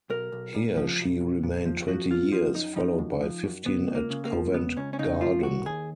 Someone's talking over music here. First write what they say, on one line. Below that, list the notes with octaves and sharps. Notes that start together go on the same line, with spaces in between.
Here she remained twenty years, followed by fifteen at Covent Garden.
B1 A#4
B1
A#2
F3
B1
B1
A#2
F3
F3 F#4
F#2 F4
F3 F4
F#2 D#4
F3 D#4
F#2
F3
F#2
C#2 B3
C#2
A#3
C#3
A#3
F3
C#2 B3
C#2 C#4
C#4
C#3 D#4
F3 F4
D#2 F#4
D#2 G#4